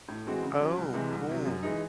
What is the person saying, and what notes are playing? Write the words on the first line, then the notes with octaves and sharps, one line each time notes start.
Oh, cool.
A2
E3 G#3 C4 F#4
C#3
F#3 C#4
C2
C3 E3 G#3
C2
C3 F#3
F#2
E3 G#3 D#4